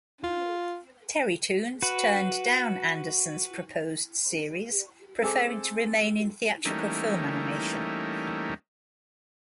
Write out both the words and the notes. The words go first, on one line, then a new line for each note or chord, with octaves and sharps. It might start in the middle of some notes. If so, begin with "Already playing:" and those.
Terrytoons turned down Anderson's proposed series, preferring to remain in theatrical film animation.
F4
F#4 B4
G#3 C4 A4 G#5 D6 E6
E3 G3 A3 A#3 C#4 D#4